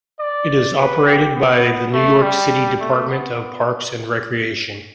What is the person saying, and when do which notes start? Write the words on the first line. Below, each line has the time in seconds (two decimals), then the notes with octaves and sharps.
It is operated by the New York City Department of Parks and Recreation.
0.20 D5
0.78 B4
1.06 G4
1.36 B3
1.93 A3
2.22 G3
2.81 A3
3.09 B3